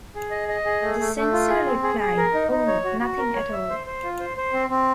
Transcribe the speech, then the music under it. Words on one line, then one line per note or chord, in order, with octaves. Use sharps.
The censor replied, Oh, nothing at all.
G#4
D#5
D#5
G#4
A3
A3
A3
F4
G#4
C4
G#4
G#4
A#4
D#4
D#4
C#5
F#4
F#4
A#4
C#5
E5
C5
C5
F4
C5
C5
C4
C4